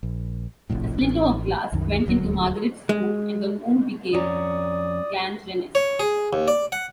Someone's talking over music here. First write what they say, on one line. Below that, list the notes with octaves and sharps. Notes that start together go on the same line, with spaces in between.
A splinter of glass went into Margaret's foot and the wound became gangrenous.
A#1
F1 A#1 F2 A2
A1
C2 F#2 D#3
D#1 D2 F3 F#3
G#3
F2 C#4 D5 A#5 D#6
C#5
G#4
D#2
D5
F#5